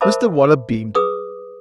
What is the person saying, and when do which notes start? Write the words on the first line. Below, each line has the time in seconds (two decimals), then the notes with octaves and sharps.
Mr Waller beamed.
0.01 A#4 C5 E5 A5 B5 D6
0.95 G#4 B4 D6 D#6